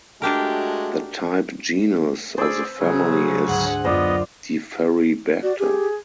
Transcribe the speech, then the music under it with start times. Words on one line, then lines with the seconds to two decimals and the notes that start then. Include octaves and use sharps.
The type genus of the family is "Deferribacter".
0.22 G#3 A3 D4 F#4 G4 A#4
2.38 C4 G#4 B4 C5 D5 E6
2.79 C#3 F#3 G#4
3.48 D2 G#2 G#4 F#5
3.85 F#2 B3 F4 C5 D5 D#5
5.43 F#4 D5
5.59 G4 G#4